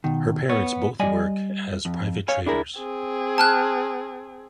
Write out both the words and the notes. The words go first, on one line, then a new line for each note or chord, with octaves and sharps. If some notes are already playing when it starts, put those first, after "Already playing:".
Her parents both work as private traders.
B2 D#3
B3 C#5
G3 D5 D#5 G#5
F2
C#5 F5 G#5
D4 E4 G#4 A#4
C4 G#4
A5 F6 F#6